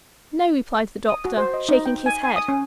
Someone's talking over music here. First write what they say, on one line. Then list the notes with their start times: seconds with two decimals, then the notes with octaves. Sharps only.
'No,' replied the Doctor, shaking his head.
1.09 D#6
1.25 F#4
1.37 C5
1.54 D#5
1.69 D#4
1.86 G5
2.06 G#5
2.24 G#5
2.36 D#6
2.48 C#4